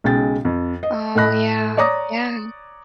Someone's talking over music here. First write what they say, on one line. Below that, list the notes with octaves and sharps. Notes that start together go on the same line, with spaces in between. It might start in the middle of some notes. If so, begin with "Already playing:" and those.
Oh, yeah, yeah.
B1 C#3 G#3 G5 A6
F2
D#5
A2 A3 D#5 B5 F#6 A#6
C#5 D5 A#5 D6 D#6 A#6